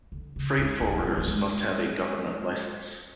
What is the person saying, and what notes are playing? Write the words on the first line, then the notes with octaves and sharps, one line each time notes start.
Freight forwarders must have a government license.
D3
C#3
G#3
G#3
F#3
G#3
F#3
G#3